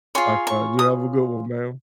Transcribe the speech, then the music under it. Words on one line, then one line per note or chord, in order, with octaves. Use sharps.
Likewise, you have a good one, ma'am.
F4 G#4 C#5 C6
C#6
D#6